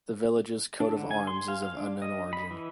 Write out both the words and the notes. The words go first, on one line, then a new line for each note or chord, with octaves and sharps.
The village's coat of arms is of unknown origin.
D4
D3
G#5
C6
F5
F5
D4
D#5
B5
E3